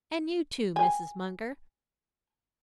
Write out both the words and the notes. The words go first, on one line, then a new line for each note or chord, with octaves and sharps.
And you too, Mrs. Munger.
G5 G#5